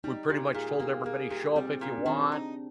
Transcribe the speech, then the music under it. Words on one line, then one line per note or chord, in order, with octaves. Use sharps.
we pretty much told everybody, "Show up if you want"
G3 D#4
A#2 G4
A#2 G#4
A#3 G4
A#3 G#4
A#2 G4
G3 C4
A#2
D4
D#3 C4
D#4